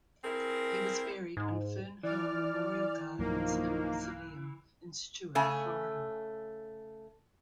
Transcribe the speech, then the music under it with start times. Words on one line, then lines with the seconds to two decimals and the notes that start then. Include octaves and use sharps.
He was buried in Fernhill Memorial Gardens and Mausoleum in Stuart, Florida.
0.23 C4 E4 G#4 A#4
1.37 G#2
2.03 E3 D5 F6
3.19 B1 G2 D#3 F3 F#3 A#3
5.35 C#3 A3 G#5